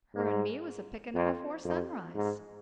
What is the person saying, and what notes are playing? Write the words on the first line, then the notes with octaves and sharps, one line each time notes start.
"Her and me was a picking 'em afore sunrise."
G#2
F2
F2
G#2